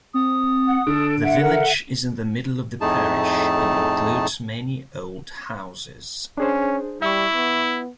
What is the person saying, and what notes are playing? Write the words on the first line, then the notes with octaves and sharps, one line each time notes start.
The village is in the middle of the parish, and includes many old houses.
C4 D#6
F#5
D3 A4 D7
E5 F#5
A4 A#4
F2 A2 A3 D#4 G#4 A5
C#4 D4 G#4 C5
G3 E4 E5 C#6
B3